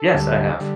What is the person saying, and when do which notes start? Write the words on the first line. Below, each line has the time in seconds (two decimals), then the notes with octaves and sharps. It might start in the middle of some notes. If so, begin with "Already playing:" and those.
Yes, I have.
Already playing: A4
0.14 D2 D3 G3
0.60 D3 G3